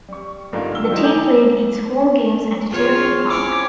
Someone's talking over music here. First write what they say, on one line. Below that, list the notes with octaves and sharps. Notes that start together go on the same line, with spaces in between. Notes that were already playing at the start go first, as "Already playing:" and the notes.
The team played its home games at Terrapin Park.
G3 C#6
G2 D3 A#3 D#4 F4
E6 G7
D#3 F#3 C4 E4 D#5
A4 G#5 D6 G6
E2 F4 C#5
C4 C#4 E4 C#5 D6